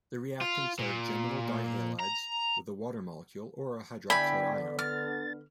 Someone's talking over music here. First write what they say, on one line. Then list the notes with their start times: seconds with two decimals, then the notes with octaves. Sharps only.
The reactants are geminal dihalides with a water molecule or a hydroxide ion.
0.41 F4
0.79 A#2
1.99 A#5
4.10 D3 B3 E4 D5 G5 G#5 B5
4.79 F6 A6